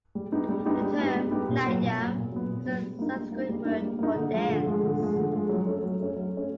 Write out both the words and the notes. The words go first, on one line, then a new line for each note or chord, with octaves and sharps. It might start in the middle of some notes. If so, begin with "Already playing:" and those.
The term "Natyam" is a Sanskrit word for "dance".
G3
B3 D#4 G4
G3
B3 D#4 G4
G3
B3 D#4 G4
G3
B3 D#4 G4
A#2
F#3 B3
A#2
F#3 B3
A#2
F#3 B3
A#2
F#3 B3
G3
A#3 D#4
G3
A#3 D#4
G3
A#3 D#4
G3
A#3 D#4
D3
F3 G#3
D3
F3 G#3
D3
F3 G#3
D3
F3 G#3
F#3
A3 C#4
F#3
A3 C#4
F#3
A3 C#4